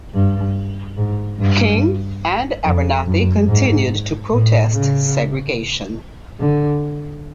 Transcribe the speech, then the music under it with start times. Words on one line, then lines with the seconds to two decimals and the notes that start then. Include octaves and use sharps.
King and Abernathy continued to protest segregation.
0.15 G2
0.97 G#2
1.39 G2
2.65 F2
3.06 F#2
3.48 G#2
4.32 A2
4.73 C#3
6.40 D3